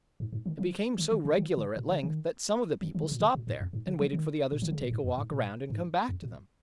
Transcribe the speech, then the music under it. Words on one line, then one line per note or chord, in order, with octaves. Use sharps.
It became so regular at length, that some of the people stopped there, and waited for the others to take a walk round, and come back to them.
G#2
G#2
D#3
F3
D#3
D#3
C#3
D#3
C#3
A#2
C#3
D#3
D#3
D#3
C#3
A#2
C#3
A#2
G#2
F2
G#2
C#3
F3
D#3
A#2
D#3
C#3
A#2
G#2
F2
G#2
A#2
G#2
F2
A#2